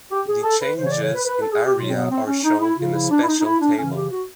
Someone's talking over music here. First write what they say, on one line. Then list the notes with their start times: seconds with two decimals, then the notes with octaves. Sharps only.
The changes in area are shown in a special table.
0.11 G4
0.28 G#4
0.43 A4
0.61 B4
0.77 C#3 E3 C5
0.85 C#5
0.90 D5
1.02 C#5
1.14 B4
1.27 B4
1.40 A4
1.52 G#4
1.65 G4
1.77 B2 F#3 F4
1.87 C4
1.94 B3
2.11 C4
2.27 C#4
2.43 D#4
2.60 E4
2.77 C#3 F3 F4
2.94 E4
3.11 D4
3.22 E4
3.27 D#4
3.39 D#4
3.44 E4
3.60 D4
3.77 C#3 E3 C#4
3.94 G4
4.11 F#4